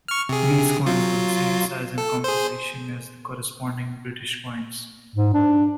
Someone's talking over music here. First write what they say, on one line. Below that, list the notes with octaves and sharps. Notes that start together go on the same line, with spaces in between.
These coins were the same size and composition as the corresponding British coins.
C#6 F6
C3 G#4
F#3 F4
A4
G#4 C5
G#2
D4